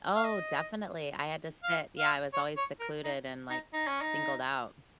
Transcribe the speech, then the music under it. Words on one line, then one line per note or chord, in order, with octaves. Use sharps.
Oh, definitely, I had to sit yeah, I was always secluded and, like, singled out.
F5
D#5
F5
F5
C#5
C#5
A#4
D#4
D#4
D#4
C#4
D#4